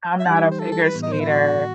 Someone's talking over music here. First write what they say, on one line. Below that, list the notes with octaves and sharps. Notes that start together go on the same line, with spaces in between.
I'm not a figure skater.
E5
E3 G3 D#4 G4 F#5
E5
D#5
C5
A4
A4
B4
A2 E3 B3
D#5
C5
E4
F#4